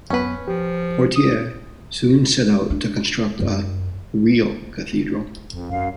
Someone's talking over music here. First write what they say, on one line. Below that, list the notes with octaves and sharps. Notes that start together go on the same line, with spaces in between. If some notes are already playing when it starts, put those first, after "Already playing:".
Portier soon set out to construct a "real" cathedral.
F#2 B3 C#4 B4
F3 G4
D#6
D4
F#2
F2
F#2 F5